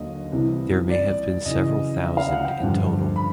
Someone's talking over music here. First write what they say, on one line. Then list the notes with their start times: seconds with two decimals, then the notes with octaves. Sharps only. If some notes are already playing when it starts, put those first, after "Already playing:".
There may have been several thousand in total.
Already playing: D#2 D3 F#3 D#5
0.32 C2 C3 E3
0.90 D5
1.45 F#2 C#3 E3 D#5
2.03 E5
2.17 F5
2.32 F#5
2.45 G5
2.60 G2 D3 F3
3.16 B5